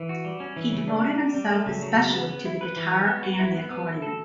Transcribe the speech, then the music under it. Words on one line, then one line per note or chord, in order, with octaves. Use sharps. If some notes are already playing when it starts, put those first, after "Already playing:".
He devoted himself especially to the guitar and the accordion.
Already playing: E3
F#4
G3
C#4
E3
C#3
D4
G3
G3
G3
A3
C#3
F#3
C#3
B3
B3
E4
B4
E3
C#5
B3
F#4
E4
B3
B3
E4
A4